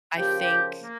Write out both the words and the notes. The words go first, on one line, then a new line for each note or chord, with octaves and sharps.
I think
C#3 F3 A#3 G4 G5
G4 G5
A#3